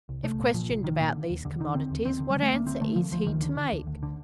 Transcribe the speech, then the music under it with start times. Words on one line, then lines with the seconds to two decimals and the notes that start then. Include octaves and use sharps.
If questioned about these commodities, what answer is he to make?
0.09 C2
0.23 C2 A3
0.40 A#2
0.54 A#2 F3
0.70 C2
0.84 C2 D#3
1.00 A#2
1.15 D3
1.30 D#2
1.45 D#2 D3
1.60 D3 D#3
1.75 D3 C4
1.91 D#2
2.05 D#2 C4
2.20 D3
2.30 G3
2.36 D3
2.43 A3
2.51 D2 A#3
2.66 D2 C4
2.81 D3 A3
2.96 D3 F3
3.12 D2 F3
3.27 D2 D#3
3.42 D3
3.57 D3
3.72 D2
3.87 D2
4.03 D3